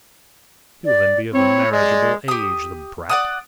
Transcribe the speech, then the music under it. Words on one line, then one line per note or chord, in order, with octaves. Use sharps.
He will then be of a marriageable age, the brat!
D5
C4 E4 C#5
G#3 D5
G4 D#6
D5 F#5 D#6